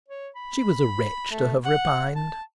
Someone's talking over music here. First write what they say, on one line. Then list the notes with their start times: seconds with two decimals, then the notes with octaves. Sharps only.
She was a wretch to have repined.
0.08 C#5
0.35 B5
1.31 A3
1.65 F#5
2.16 A5